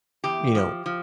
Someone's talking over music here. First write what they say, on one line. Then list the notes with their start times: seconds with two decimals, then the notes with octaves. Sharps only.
you know,
0.24 E2 G4
0.55 F3
0.86 F3